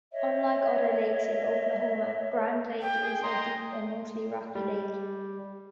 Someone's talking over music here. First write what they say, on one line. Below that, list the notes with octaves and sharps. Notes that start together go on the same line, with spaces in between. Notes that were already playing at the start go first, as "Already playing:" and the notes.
Unlike other lakes in Oklahoma, Grand Lake is a deep and mostly rocky lake.
C#5 D#5 E5
G5
G#4
D#5 A#5 C6
G3